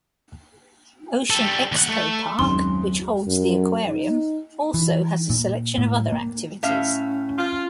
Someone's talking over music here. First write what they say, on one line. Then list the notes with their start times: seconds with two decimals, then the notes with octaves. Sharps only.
Ocean Expo Park which holds the aquarium also has a selection of other activities.
1.30 G3 A4
1.72 D#2 F#5
1.88 A3
2.39 F#1 D#2 G#2 C#3 F#3 C4 C6
3.27 F#2
3.88 D#4
4.74 E3
5.30 A#2
5.78 A2
6.12 A#3
6.63 A2 C#4 E5 F5
7.39 F4